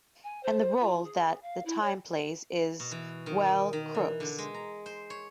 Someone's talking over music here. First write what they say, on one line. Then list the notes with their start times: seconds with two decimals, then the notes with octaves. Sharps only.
And the role that The Time plays is, well, crooks.
0.23 G#5
0.43 C5
0.80 F4
1.03 G#4
1.41 F5
1.65 E4
1.81 C#5
2.80 B2
2.91 E3
3.26 D#3
3.73 D#3
3.95 E3
4.20 D3
4.38 G#3
4.54 A#5
4.86 C5
5.10 C#5